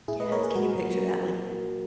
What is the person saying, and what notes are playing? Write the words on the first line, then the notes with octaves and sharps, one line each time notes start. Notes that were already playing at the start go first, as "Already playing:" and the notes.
Yes. Can you picture that? Like,
A#2 E4 G#4
B4 D#5
A#3 A#4 C#5
G#4 B4
A#2 F#4 A#4
F#3 A#3